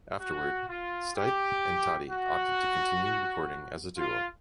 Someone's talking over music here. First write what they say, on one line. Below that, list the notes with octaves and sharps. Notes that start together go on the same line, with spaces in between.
Afterward, Stipe and Totty opted to continue recording as a duo.
F#4
F4
G4
F#4
F4